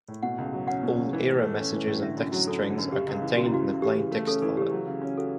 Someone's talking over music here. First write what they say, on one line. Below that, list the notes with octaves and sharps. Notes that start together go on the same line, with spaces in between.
All error messages and text strings are contained in a plain text file.
A2
B2 F#5
C#2
F#3
C#4 F#5
B2
C#2
E3
A2
A3
C#4
E3
A2
D3 E5
F#2
F#3
F#2 A4
D3
F#2
C#3 G4
C#2
E3
C#2 F#4
E4
C#3 F#4
C#2
E3 G4
C#3
A3
C#4 A4
E3 A4
C#3 G4
F#3
C#3
C#4
F#4 A4